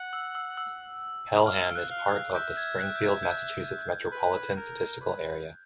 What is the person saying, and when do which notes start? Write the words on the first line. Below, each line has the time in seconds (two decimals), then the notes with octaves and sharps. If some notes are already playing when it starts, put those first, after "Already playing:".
Pelham is part of the Springfield, Massachusetts Metropolitan Statistical Area.
Already playing: F#5
0.13 E6
0.35 E6
0.57 E6
1.46 F5 F6
1.75 F#6
1.90 F5
2.05 F#6
2.34 E5 G6
2.57 G#6
2.79 F#6
2.96 G6
3.01 F#6
3.23 G6
4.12 B4
4.57 A#4
5.01 B4